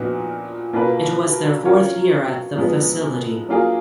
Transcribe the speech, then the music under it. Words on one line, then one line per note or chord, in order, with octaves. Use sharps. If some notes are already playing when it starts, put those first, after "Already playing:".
It was their fourth year at the facility.
Already playing: A#2 F3 B3 D#4 F#4
B2 A#3 F4 B4
F#3 C#4 F4 A#4 C#5
F#2 F3 G#3 B3
F#3 A#3 F4 G#4